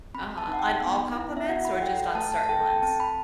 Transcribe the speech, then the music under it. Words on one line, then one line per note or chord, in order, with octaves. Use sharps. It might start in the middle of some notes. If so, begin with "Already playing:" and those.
Uh-huh, on all compliments or just on certain ones?
C4 B5
A5
D#4
F#5
G5
B3
E4
E5
F#4 F#5
B5
F#5
A4 G5
G5
A3 A5
A5
A5
A4 G5
G5
C4 A5
B5